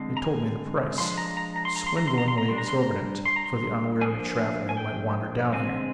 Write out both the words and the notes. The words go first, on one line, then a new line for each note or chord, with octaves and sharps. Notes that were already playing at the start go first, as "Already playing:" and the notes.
They told me the price--swindlingly exorbitant for the unwary traveller who might wander down here.
Already playing: D3 G#3 C4
A#5
G#5
F3 G#3 D4 C6
A#5
A#5
A#5
C6
A#5
C6
A#5
C6
A#5
C6
A#5
G3 D4 C6
A#5
C6
A#5
C6
A#5
C6
F3 A#3 D4 G#5
G#5
G5
D3 G#3 C4 G#5